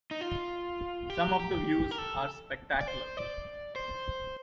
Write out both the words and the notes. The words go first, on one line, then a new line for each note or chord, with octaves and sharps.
Some of the views are spectacular.
D#4
F4
G4
G4
A#4
A4
D5
C5
D5
C5